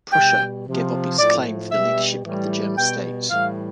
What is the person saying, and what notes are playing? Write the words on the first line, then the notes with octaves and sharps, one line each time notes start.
Prussia gave up its claim for the leadership of the German states.
B2 G3 G5
C3 F3
A2 F3 D5
B2 G3 E5
A2 E3 G3
B2 G3 G5
A2 E3 G3 F5